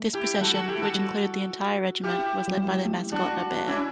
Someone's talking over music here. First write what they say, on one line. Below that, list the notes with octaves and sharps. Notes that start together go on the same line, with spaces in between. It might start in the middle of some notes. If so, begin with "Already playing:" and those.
This procession, which included the entire regiment, was led by their mascot, a bear.
Already playing: A3
E4 G4
G3 F#4 A4
F#4 A4
E4 G4
F#4 A4
G3
E4 G4
F#3
G3
A3
G3 D4 F#4
C#4 E4